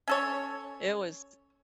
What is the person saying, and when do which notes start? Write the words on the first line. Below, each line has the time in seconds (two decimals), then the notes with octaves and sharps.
it was
0.08 C#4 A4 C#5